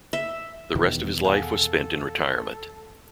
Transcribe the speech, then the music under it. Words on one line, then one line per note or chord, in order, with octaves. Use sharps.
The rest of his life was spent in retirement.
E5
E2 B2 D#3
G#4 A4 F5 F#5